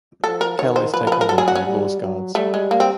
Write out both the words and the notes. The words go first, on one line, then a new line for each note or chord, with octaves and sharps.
Kell is taken away by Vagh's guards.
F3 A4
A#4
D#3 C#5
C5
F3 B4
A#4
B4
A#4
F#3 A4
G#4
F#4
C#4
G3
F#3
G3 A3
G#3
A#3
C4